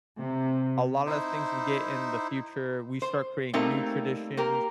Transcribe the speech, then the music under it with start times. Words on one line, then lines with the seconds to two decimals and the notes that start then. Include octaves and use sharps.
a lot of things we get in the future, we start creating new traditions,
0.18 C3
1.06 D#4 E4 C5
3.02 C5
3.53 G3 A3 A#3 C4 D#4
4.37 A#3 G4 A#4